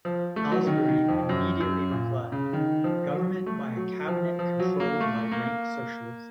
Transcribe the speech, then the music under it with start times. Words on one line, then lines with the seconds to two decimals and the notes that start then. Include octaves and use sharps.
Halsbury immediately replied: "Government by a Cabinet controlled by rank socialists".
0.05 F3
0.36 A3
0.51 F#3
0.67 D#3
0.88 D#3
1.08 F2
1.29 F#2
1.60 F#2
1.91 A#2
2.32 C#3
2.53 D#3
2.84 F3
3.15 F#3
3.46 A3
3.77 F#3
4.08 F3
4.39 F3
4.59 F#3
4.80 A#3
5.00 A3
5.32 A#3